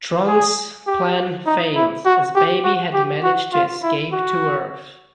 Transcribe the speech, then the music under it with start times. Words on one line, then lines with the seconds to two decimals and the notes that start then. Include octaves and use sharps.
Trunks' plan fails as Baby had managed to escape to Earth.
0.28 G#4
0.87 G4
1.46 D#4
1.75 E4
2.05 F#4
2.35 G4
2.64 F#4
2.94 G4
3.23 F#4
3.53 F4
3.83 E4
4.12 F#4